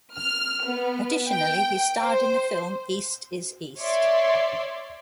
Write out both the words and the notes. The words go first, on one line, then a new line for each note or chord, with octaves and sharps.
Additionally, he starred in the film East is East.
F6
B3
G5
C5
C#5 D5 E5 C6